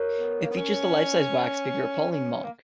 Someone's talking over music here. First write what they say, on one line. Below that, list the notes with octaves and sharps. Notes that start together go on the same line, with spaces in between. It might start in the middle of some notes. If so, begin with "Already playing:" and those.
It features the life-size wax figure of a Pauline monk.
Already playing: A#4 C#5
B3
A#3
B3
C#4
C#4
A#3